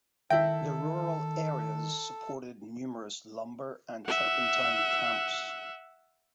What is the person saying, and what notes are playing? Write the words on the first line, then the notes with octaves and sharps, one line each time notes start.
The rural areas supported numerous lumber and turpentine camps.
D#3 E4 A4 E5 G5
E5 F#5